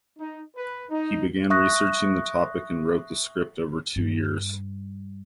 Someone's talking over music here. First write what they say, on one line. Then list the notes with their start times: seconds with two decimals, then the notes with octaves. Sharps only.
He began researching the topic and wrote the script over two years.
0.19 D#4
0.56 B4
0.90 D#4
1.50 E5 C#6 D#6 F#6 A#6
3.96 G2 G3